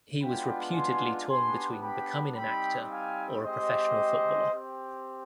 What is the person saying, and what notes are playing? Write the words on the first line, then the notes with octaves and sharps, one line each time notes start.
He was reputedly torn between becoming an actor or a professional footballer.
G#3 B3 D4 F4 G5 B5
G#5 C6
B3 D4 G4 G#5 C6
G5 B5
G3 C4 D#4 G4 G5 B5
F5 G#5
G#3 C4 G4 C5 D#5
C4 G4